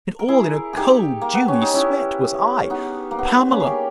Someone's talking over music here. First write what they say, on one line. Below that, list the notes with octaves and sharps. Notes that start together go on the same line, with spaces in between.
And all in a cold dewy sweat was I. Pamela!
A#4
E4 G#4
D#4 G4 G#4
A#3
B3
C#4
D#4
C#4 E4
B3 D#4
A#3
B3
B3
A#3 C#4
G#4
G4 A#4